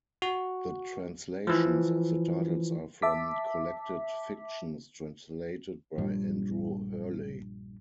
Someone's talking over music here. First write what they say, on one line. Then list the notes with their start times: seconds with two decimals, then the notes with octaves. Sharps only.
The translations of the titles are from "Collected Fictions", translated by Andrew Hurley.
0.22 F#4
1.47 E3 F3
3.02 E5 A5 D6 B6
5.98 A#1 G2 F3 G3